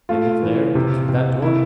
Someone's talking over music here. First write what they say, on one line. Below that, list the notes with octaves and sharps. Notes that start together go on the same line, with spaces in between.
"They live there, through that door?"
A3 F4
E3
C3
C3
E4